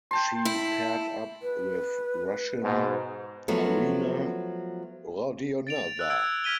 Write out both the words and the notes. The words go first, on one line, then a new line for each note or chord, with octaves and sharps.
She paired-up with Russian Arina Rodionova.
G5 A5 C6
E4
B4
G#2 B2
F3 F#3 A3 B3
A6 D7 F7
E6 F#6 F7
E6 G#6 D7
F6 G#6 B6 D#7 G7